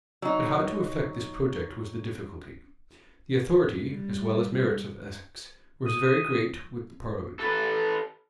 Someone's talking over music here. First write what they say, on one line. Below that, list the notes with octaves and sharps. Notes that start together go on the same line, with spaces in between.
But how to effect this project was the difficulty. The authority, as well as merits, of Essex was very great with the parliament.
F#3 D#4
G3
D#6
A4 B4